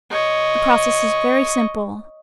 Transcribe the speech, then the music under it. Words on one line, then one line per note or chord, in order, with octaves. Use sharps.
The process is very simple.
C#5 D#5